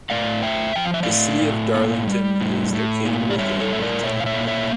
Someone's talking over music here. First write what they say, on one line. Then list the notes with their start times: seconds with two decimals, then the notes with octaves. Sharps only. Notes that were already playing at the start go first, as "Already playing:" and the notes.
The City of Darlington is located within the town.
0.10 A2 D5 F5
0.43 A3 E5 G5
0.76 F3 G5
0.85 F5
0.94 E5
1.03 D5 F5
1.08 A2
1.41 A2
1.74 A#3
2.07 G3
2.41 A2
2.73 A2
3.05 A#3
3.30 D5
3.38 G3 C#5 E5
3.60 A4 C#5
3.72 A2 E5
3.82 A#4 D5
4.04 A#2 C#5 E5
4.20 F5
4.26 C#5 E5
4.36 A#3
4.47 C#5 E5